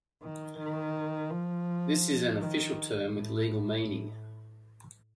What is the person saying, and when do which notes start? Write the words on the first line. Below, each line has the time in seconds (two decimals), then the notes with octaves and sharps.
This is an official term with legal meaning.
0.22 D#3
0.58 D#3
1.30 F3
2.37 D#3
3.09 A2